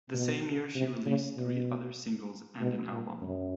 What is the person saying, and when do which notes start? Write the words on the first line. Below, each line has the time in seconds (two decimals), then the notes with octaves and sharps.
That same year she released three other singles and an album.
0.14 B2
0.76 C3
1.06 C#3
1.37 B2
2.61 B2
2.92 A#2
3.22 F#2